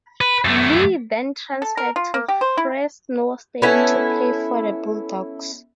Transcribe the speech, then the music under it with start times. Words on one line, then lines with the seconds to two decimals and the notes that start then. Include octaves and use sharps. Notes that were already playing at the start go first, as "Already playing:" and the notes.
Lee then transferred to Fresno State to play for the Bulldogs.
0.21 B4
0.45 F#2 A3
1.62 A4
1.77 A#4
1.96 F4
2.14 A#3
2.28 G4
2.41 C5
2.57 E4
3.62 B3 C#4 E4 A4